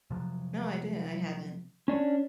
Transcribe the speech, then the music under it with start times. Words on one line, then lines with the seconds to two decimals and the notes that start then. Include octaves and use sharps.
No, I didn't I haven't.
0.10 C3 F3 F#3
1.88 C#4 D4 C#5